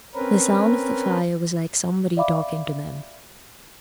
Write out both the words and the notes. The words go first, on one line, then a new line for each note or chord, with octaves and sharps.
The sound of the fire was like somebody talking to them.
C4 C#4 A#4 B4
D5 E5 F5 B5 D6